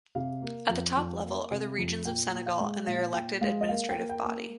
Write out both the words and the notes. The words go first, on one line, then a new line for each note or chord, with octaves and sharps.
At the top level are the Regions of Senegal and their elected administrative body.
C3 F5
A#3
F2
F2
A#3
C3
F2
A#2 G5
A#2
F5
G#3
A#2 F5
A#2 G5
G#3 F5
D#5
A#3 F5
G5
A#3
G5
A#3